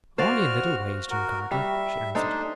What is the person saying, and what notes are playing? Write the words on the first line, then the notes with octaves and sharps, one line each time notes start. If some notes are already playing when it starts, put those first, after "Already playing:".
"Only in little ways, John Carter," she answered.
F#4 C5 D5 F5 F6
F#4 A#4
G3 E5
D4 D#4 A4 C5